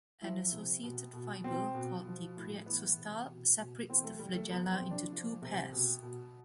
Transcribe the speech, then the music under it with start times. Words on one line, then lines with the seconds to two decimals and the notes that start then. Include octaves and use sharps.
An associated fiber called the preaxostyle separates the flagella into two pairs.
0.22 F3 E4
0.52 C3
0.83 B2
1.13 B2
1.44 B2 C4
1.75 B2
2.06 F3
2.37 A2
2.66 E3 B3
2.98 C3
3.29 B2
3.59 B2
3.90 E3 C4
4.04 A3
4.19 C3 G3
4.35 A3
4.50 F3 B3
4.71 C4
4.81 C3
4.91 D4
5.12 F3
5.42 C3
5.72 B2
6.03 B2